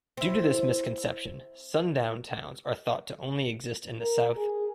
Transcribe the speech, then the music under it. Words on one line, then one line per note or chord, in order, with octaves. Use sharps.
Due to this misconception, sundown towns are thought to only exist in the South.
C4 E4
A#4
G#4